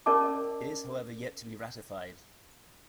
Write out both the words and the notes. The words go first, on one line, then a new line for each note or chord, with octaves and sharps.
It is however yet to be ratified.
C#4 A#4 D5 D#5 A5 D6